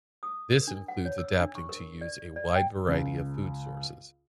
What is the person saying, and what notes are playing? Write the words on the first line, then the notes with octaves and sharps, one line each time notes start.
This includes adapting to use a wide variety of food sources.
D#6
A#4
D4
F#5
C#5
E6
D4
C#6
A#4
D5
D5
G5
C#2